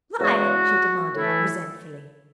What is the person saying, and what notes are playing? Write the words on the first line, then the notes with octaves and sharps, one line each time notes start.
"Why?" she demanded, resentfully.
E2 C#3 G#3 F#4
A2 E3 A3 E4